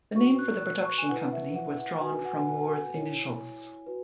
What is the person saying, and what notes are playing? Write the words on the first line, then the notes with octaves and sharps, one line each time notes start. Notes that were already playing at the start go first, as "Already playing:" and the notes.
The name for the production company was drawn from Moore's initials.
F#4 B4 C#6
F#6
F#6
C#6
G#5
E4 B4 F#5
E5
F#5
F#5
F#4 B4 G#5
F#5
G#5
F#5
G#5
G#5
E4 C#5
F#4 B4